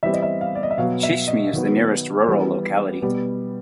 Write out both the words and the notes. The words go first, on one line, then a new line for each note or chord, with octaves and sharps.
Chishmy is the nearest rural locality.
E3 G3 C4 E5
D#5
E5
F5
D5
D#5
E5
B2 F#3 B3 F5
E5
D#5
D#3 F#3 B3
E3 G3 B3
B2 G3 B3